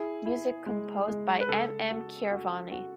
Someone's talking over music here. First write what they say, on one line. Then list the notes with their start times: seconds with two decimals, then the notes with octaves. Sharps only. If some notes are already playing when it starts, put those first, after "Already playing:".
Music composed by M. M. Keeravani.
Already playing: E4 G#4
0.26 E4
0.66 G#3
1.08 G#3
1.41 B4
1.48 C#3 A4
1.90 F#4
2.31 F#4
2.72 F#4